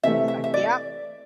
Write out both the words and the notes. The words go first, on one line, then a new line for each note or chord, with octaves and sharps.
he's like, "Yep.
C3 E3 A3 E5
E5
E5
D5